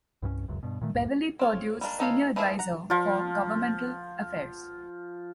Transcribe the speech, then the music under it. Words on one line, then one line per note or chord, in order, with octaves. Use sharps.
Beverly Perdue's senior adviser for governmental affairs.
C2 G2 E3 C#4
E1 C#2 F#2
G2 B2
A#2 D#3 A3
C2 F#2 A2
C4 F4 C#5
G3 G#3 A#3 D4
E3 D#4 A4 C#5 F5
E3 F3 E4 G#4 E5
F#5 A#5
F3 F4